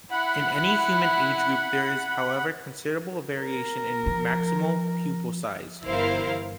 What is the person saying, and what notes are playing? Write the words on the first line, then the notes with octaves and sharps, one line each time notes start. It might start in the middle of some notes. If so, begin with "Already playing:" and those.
In any human age group there is however considerable variation in maximal pupil size.
E4 F#5 B5
A#4
F3
G1 E3 E4 A#4 C5 F5